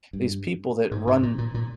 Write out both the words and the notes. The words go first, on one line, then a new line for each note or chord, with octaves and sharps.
these people that run
G2
G#2
G#2
A#2
A#2
A#2